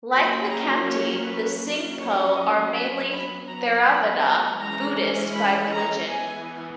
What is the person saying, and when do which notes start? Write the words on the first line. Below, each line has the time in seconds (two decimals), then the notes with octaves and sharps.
Like the Khampti, the Singpho are mainly Theravada Buddhist by religion.
0.11 F#3 A#3 C#4 B5
0.49 A#5
0.86 C#5
1.23 B4
1.60 F#3 A#3 C#4
1.97 C#5
2.35 D#5
2.72 B5
3.10 F#3 B3 B5
3.47 A#5
3.84 B5
4.21 A#5
4.59 E3 G#3 C#4 A#5
5.33 B5
5.71 A#5
6.08 E3 B3 G#5